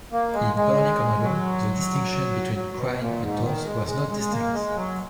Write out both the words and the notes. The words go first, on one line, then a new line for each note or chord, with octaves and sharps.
In early common law, the distinction between crime and tort was not distinct.
A#3
G#3
G#3
F#3
F#3
B2
A#2
G#2
D#3
G#3
G#3
G#3
A#3
G#3
F#3